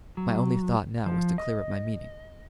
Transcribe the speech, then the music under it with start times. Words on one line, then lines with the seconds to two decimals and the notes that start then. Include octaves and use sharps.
My only thought now was to clear up my meaning.
0.17 F#3
1.06 F3
1.38 D#5